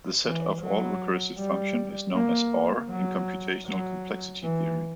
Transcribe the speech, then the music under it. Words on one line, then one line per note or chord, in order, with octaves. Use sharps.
The set of all recursive functions is known as R in computational complexity theory.
E3
F#3
G3
A#3
F#3
F#3
E3